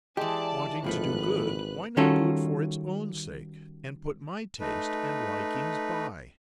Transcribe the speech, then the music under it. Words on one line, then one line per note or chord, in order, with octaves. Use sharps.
Wanting to do good, why not do it for its own sake, and put my tastes and likings by?'
E3 G#3 G4 D5 A5
G#1 D#2 F3 A3 B4 F#6
D#3 G3 C#4 F4 F#4 A4
A3 D#4 B4